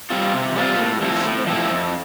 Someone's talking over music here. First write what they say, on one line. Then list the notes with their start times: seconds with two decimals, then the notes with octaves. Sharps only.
"My name is Smith."
0.10 G3 C4 F4
0.33 C3
0.56 G3 C4 F4
0.79 A2
1.01 F3 C4 E4
1.24 A2
1.47 F3 C4 E4
1.70 F2